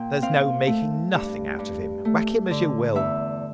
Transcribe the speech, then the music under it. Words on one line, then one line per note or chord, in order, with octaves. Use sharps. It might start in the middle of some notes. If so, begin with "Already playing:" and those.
"There's no making nothing out of him, whack him as you will."
Already playing: A#2 G5
C4 F5
A3
G2
G2
A3
D3
E2 E5